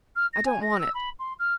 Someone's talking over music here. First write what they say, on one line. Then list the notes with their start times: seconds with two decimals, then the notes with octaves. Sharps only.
I don't want it.
0.15 F6
0.33 A#6
0.45 G#5
0.62 A#6
0.79 E6
0.94 B5
1.19 C6
1.39 F6